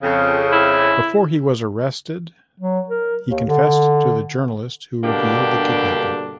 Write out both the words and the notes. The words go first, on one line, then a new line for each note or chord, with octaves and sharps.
Before he was arrested, he confessed to the journalist who revealed the kidnapping.
F2 C#3
E4
F#3
A#4
D#2
D3
G2 B2 D3 A#3 D4 G4